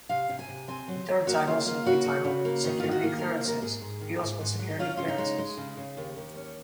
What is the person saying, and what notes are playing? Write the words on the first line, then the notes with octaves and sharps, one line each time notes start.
The third title, simply titled "Security clearances", deals with security clearances.
C3 F5
C3
G#5
C3
C4 G#5
F#3 C5
F#3
A#3 F#4
C#3 F4
A#3 F4
C#3 F#4
C#3
C#3
A#3
D#3 D#4
D#3 F4
F#4
A#3 G#4
A#3 A#4
D#2 A#4
G#2 G#4
G#2
D#3
G#2
G#2
F#3
D#4
C#4 F4
C#3 F4
D#4
G#3
G#3
C#3
C#3
D#2
D#2
C#4